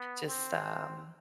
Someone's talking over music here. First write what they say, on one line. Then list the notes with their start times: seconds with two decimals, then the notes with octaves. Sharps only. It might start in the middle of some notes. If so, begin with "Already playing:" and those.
just, um,
Already playing: B3
0.27 C4